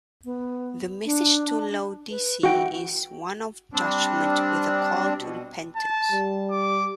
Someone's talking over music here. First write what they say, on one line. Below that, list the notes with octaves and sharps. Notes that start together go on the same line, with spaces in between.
The message to Laodicea is one of judgement with a call to repentance.
B3
D4
B4
E3 F#4 F#5 G5
G3 C4 D4
B2
A5
G3
D6